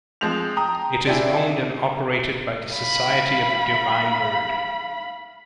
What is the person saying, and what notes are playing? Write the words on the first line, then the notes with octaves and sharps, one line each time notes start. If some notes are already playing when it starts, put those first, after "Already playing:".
It is owned and operated by the Society of the Divine Word.
F3 G#3 C4 G6 F7
G5 A#5 D#6
C4 D4 E4 G4 G#4
F5 B5